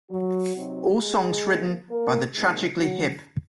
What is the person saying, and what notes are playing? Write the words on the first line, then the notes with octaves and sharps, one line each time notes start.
All songs written by The Tragically Hip.
F#3 F#4
C3 F#3 C4 D#4
G#3 G#4
C3 F3 A#3
A#3 A#4
F2 C3 F#3 G#3 A#3 D#4 G#4
F#3 F#4